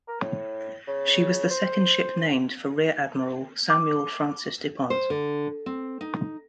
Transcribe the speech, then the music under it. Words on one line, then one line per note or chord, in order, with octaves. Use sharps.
She was the second ship named for Rear Admiral Samuel Francis Du Pont.
A#4
A2
C#3
C5
D6
C5
D3
C4
D#4